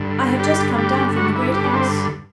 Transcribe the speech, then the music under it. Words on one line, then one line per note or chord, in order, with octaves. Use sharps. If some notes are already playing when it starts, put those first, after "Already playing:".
"I have just come down from the Great House."
Already playing: G2 D3
G4
G4
F#4
E4
G4
B3
C4